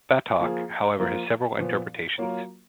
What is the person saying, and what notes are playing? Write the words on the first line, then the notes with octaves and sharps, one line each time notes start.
"Batok", however, has several interpretations.
F3 A#3 F4 G#4
F3 A#3 F4 A#4
A#2 F3 B3
F#3 A#3 F4 A#4